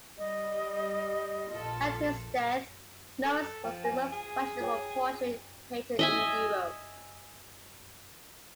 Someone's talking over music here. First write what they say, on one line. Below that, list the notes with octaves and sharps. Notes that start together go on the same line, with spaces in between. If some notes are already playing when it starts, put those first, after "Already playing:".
At his death, Lawrence was the most fashionable portrait painter in Europe.
G3 D#5
A#1 F4 A4
A4
F3 G5
G#5
G#4
F4 C#5 G5
D#5 E5 G#5